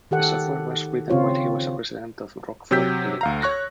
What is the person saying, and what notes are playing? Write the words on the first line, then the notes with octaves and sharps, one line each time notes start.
The software was written while he was a resident of Rockford, Illinois.
D#3 G4 A4 F#5
C#3 C4 F4 C#5
C3 F#3 G4 E6 G6 B6
D2 F5 A#5
C#5 C#6 F#6 A#6